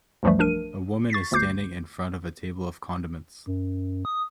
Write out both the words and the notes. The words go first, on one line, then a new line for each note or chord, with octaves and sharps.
A woman is standing in front of a table of condiments.
C#2 F#2 E3 F3 G3 A3
A#1 F3 D4 A#4 D#7
C#6 A6 B6 C7
G1 D2 D6 G6 C7
F#2
D#6